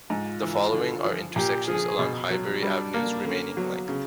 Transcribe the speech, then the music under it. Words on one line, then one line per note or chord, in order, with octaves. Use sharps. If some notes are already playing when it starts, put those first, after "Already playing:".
The following are intersections along Highbury Avenue's remaining length.
G#2 F4
E3
D3
F3
A#2 G4
F3 G#4
B2
F#3
G3 D4
A#3
D3 C#4
F#3 B3
C#3